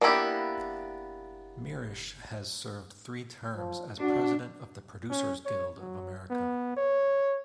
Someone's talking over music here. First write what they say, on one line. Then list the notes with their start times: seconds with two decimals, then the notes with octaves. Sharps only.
Mirisch has served three terms as president of the Producers Guild of America.
0.01 A#3 B3 D4 E4 G4
3.54 F3
4.01 D4 F#4
5.10 C#4
5.46 C#5
5.79 F#3
6.30 B3
6.77 C#5